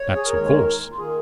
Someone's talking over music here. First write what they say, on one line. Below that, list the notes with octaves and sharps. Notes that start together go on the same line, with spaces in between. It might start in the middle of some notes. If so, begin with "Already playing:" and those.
That's of course.
Already playing: C#5
G#4
A#4
D#2 D#3 G#3 C#5
A#4
F4
D#3 A#3 G#4